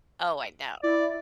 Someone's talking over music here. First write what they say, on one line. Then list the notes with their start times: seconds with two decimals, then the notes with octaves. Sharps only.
Oh, I know.
0.83 E4 D5